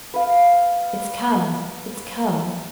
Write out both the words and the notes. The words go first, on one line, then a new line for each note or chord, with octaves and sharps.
It's come--it's come!
B4 F5